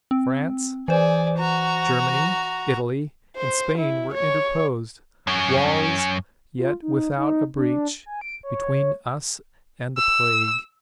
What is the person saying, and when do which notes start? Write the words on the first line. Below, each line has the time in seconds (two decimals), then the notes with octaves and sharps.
France, Germany, Italy and Spain, were interposed, walls yet without a breach, between us and the plague.
0.11 C4
0.88 E3 G#4 C5 D5
1.38 F#4 A#5
3.36 C5
3.78 E4
4.14 C#5
5.27 F#2 C#4
6.57 F4
6.82 D#4
7.17 D#4
7.55 D4
8.06 G#5
8.21 D7
8.43 C#5
9.97 E6